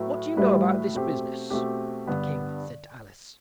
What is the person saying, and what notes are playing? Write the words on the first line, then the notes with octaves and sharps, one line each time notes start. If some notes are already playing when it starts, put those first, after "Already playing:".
'What do you know about this business?' the King said to Alice.
Already playing: A2 F#3 A3 E4 B4
A2 F#3 G3 A3 E4 B4
B2 A3 C4 G4
B2 A3 C4 G4
G2 D3 G3 B3